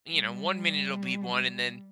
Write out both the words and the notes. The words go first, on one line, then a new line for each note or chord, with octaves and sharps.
you know, one minute it'll be one, and then
G3